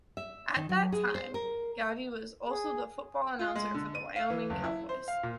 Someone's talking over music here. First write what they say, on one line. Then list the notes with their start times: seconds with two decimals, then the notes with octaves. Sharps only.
At that time, Gowdy was also the football announcer for the Wyoming Cowboys.
0.17 E5
0.56 D#3
0.69 F#3
0.92 G#4
1.15 C5
1.34 A#4
2.49 G#4
3.39 F4
3.55 G#3
3.74 D3
3.95 D#7
4.16 F5
4.30 E3
4.50 F#1
4.64 E4
4.89 C5
5.08 F5
5.23 A#2